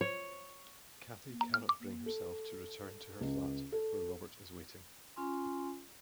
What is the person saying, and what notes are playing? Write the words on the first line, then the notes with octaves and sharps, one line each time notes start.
Cathy cannot bring herself to return to her flat, where Robert is waiting.
C#5
A4
C#2
A4
C#4 F4 G#5 C6